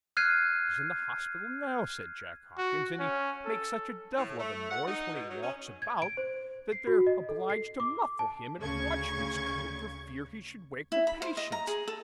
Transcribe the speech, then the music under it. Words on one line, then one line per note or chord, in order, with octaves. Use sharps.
He's in the hospital now,' said Jack Hopkins, 'and he makes such a devil of a noise when he walks about, that they're obliged to muffle him in a watchman's coat, for fear he should wake the patients.'
F6 F#6 G#6 C7 D#7
F#4
C#4
A4
A2
A3
F#5
D#4
B2
F#3
C#4
G#6
D7
C5
C7
F#4
D#5
A4
C7
D6
A5
D2 C#3 C#6 G#6
E4
B5
C5
D#5
A#5
G#4
A4